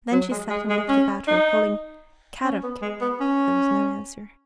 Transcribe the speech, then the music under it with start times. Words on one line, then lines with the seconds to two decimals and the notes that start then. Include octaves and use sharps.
Then she sat and looked about her, calling "Kadok!" but there was no answer.
0.12 F#3
0.31 G#3
0.50 G#3
0.70 G#3
0.89 C#4
1.28 D#4
2.45 C#4
2.63 B3
2.82 G#3
3.01 B3
3.21 C#4